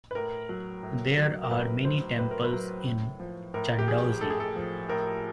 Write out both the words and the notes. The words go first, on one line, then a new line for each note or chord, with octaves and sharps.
There are many temples in Chandausi.
B4
A2 A#4
F#3
A2
F#3
A#4
A2 B4
F#3 C5
A2 B4
A#4
B4
F#3
A2
F3
A2 A#4
G4
F3 G#4
A2 A4
G#4
A4
F3
A2 A#4